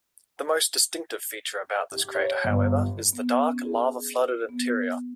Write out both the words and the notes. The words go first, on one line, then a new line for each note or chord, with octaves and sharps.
The most distinctive feature about this crater, however, is the dark, lava-flooded interior.
G4
C#5
G1
B3
C#4
G#4
B3